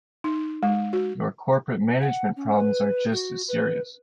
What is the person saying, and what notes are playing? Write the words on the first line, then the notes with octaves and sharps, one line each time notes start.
Your corporate management problems are just as serious.
D#4
G#3
F#4
F#5
C#4
B4
F#4
B4